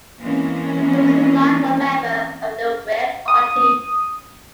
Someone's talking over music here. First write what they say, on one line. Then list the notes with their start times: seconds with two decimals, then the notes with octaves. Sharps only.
He was a lifelong member of the Whig Party.
0.19 E3 G#3 A#3 C4 C#4
3.28 D#6